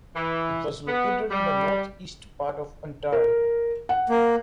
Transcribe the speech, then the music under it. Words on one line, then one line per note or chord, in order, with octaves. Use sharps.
It was located in the northeast part of Ontario.
E3
B3
G3
A#4
F#5
A#3